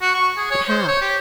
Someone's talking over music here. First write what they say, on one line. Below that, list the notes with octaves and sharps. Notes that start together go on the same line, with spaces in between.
But how?
F#4
C#6
G#4
C#5
C5
C#5
G4